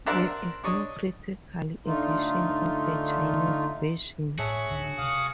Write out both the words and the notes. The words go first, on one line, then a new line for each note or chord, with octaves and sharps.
There is no critical edition of the Chinese versions.
D4 A#4 C5 E5 F#5 A#5
D4 C#5 D#5
D3 A3 D#4 F4
A2 F#4 G#4 C#5 E5 A5
C#2 D3 D#3
D4
C3 F5 D#6